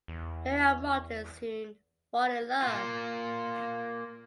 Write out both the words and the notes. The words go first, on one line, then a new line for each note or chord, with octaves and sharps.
Mary and Martin soon fall in love.
E2
A#3 F4